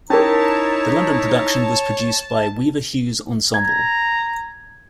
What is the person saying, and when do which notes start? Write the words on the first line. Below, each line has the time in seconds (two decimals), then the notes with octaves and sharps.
The London production was produced by Weaver Hughes Ensemble.
0.10 C#4 D#4 E4 A#4 C#5 A5 A#5
3.54 A#5 G#6